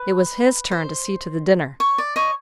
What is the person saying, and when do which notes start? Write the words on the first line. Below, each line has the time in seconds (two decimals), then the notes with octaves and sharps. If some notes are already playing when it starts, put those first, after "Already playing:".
It was his turn to see to the dinner.
Already playing: B4
0.71 C5
1.80 C#5
1.98 D5
2.16 C#5 D#5